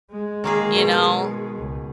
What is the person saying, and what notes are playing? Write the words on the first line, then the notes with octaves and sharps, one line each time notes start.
you know?
G#3
D#3 A#3 G#4
B2
C#2